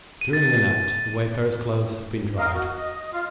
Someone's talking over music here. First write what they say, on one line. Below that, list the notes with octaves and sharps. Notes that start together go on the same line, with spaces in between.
During the night the wayfarer's clothes had been dried.
D#7
A6
A#4 D#5 F5
F#4
D#5
F4 F5